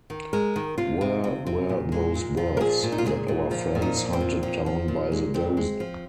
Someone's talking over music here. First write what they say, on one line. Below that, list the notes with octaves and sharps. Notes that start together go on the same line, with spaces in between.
Where were those birds that our friends hunted down by the dozen?
D#3
G#3 A#4
D#3
C3 F4
C3
C3
C3
A#2
G#3
A#2
F3
A#4
A#2 G#4
A#2
D#4
F4
G#3 G#4
A#2
F3
A#2
D#4
F3
C4
A#2
F3
F3
A#2
G#3
A#2 C4
G#3
F3